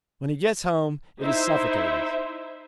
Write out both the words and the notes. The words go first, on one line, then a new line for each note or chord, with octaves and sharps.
When he gets home it is suffocated.
D#4 E4 C5 E5